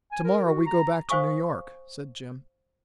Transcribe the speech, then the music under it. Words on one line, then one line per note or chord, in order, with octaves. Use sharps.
"To-morrow we go back to New York," said Jim.
G#5
A#4
F#4
A#5
C5 F5 G#5 C#6 D#6